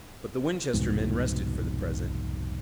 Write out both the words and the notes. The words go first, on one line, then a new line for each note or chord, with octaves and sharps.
But the Winchester men rested for the present.
C2 F2 G#2 B2